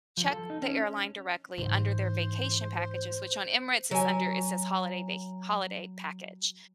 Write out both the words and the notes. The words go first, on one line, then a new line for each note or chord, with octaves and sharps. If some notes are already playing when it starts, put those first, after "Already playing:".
check the airline directly under their vacation packages, which on Emirates is under it says holiday va holiday package,
F3
A4
D#4
C#4
G#2 E3 C5
F#3 G#5